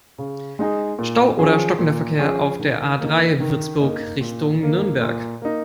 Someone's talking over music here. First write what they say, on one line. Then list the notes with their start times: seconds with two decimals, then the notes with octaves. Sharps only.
Stau oder stockender Verkehr auf der A-drei, Würzburg Richtung Nürnberg.
0.18 C#3
0.59 G#3 D#4 G#4
0.99 A#2
1.39 F3 C#4 G#4
1.79 A#2
2.19 F3 C#4 G#4
2.59 D#3
2.99 A#3 D#4
3.40 D#3
3.80 A#3 D#4
4.21 A#2
4.61 A#3 D#4
5.01 A#2
5.42 A#3 D#4